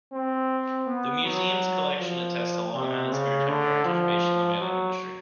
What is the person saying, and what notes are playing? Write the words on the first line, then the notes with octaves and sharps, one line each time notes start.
The Museum's collection attests to Long Island's maritime heritage based in the whaling industry.
C4
B3
F#3
F3
C3
C#3
D3
F3
F#3